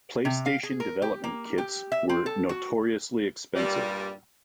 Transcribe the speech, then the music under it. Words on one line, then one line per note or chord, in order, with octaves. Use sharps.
PlayStation development kits were notoriously expensive.
C3
F5
G#4
A#4
G4
A#3
G4
E5
C4
A4
F#4
G2 A#2 G3